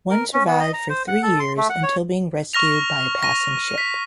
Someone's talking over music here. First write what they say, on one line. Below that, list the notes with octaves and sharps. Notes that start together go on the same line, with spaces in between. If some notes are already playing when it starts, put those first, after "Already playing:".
One survived for three years until being rescued by a passing ship.
A#4
C#4
B3
D#5
A#5
C5
F#5
A4
C6
A3
F#5
C#5
C#6 F6 A#6 F7
A#6 D#7
B6